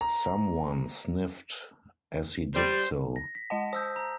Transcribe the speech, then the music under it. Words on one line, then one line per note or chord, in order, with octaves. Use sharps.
Someone sniffed as he did so.
A#5
G3 C5
A#6
B6
G#3 D#5 F#5 A5
C5 D#6 E6 G6
A#5